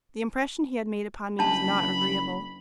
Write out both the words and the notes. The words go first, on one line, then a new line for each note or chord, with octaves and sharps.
The impression he had made upon me was not agreeable.
F#1 D4 A5 B5